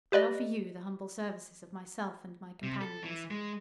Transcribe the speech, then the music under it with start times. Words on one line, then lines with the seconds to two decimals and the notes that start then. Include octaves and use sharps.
I offer you the humble services of myself and my companions.
0.12 G4 B4 D5 D#5
2.63 C3
2.81 A4
3.03 E3
3.31 G#3